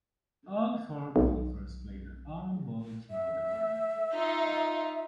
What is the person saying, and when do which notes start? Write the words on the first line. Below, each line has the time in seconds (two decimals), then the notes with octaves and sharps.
All four golfers play their own ball throughout the round.
1.16 B1
3.10 E5
4.13 D#4 F4